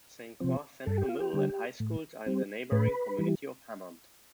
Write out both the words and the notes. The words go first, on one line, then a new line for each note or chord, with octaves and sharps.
Saint Croix Central Middle and High Schools are in the neighboring community of Hammond.
C3 F3 C4
G2 A4
G4
F4
G4
D3 G3
A2
G3 C4
A2 B4
E3 G3